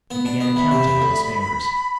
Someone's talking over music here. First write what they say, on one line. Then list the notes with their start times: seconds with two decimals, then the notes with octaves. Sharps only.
He began counting on his fingers.
0.11 B3
0.26 D4
0.40 B3
0.56 E2 B5
0.71 C3
0.87 C3
1.01 D2